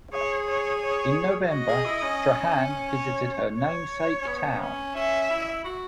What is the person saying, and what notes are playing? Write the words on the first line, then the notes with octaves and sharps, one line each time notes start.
In November, "Strahan" visited her namesake town.
G#4 C#5
C#5
C#5
F#4 D#5
G#4
E4
C#4
C#5
C#5
C#4
B3
C#4
C#4 E5
E4
F#4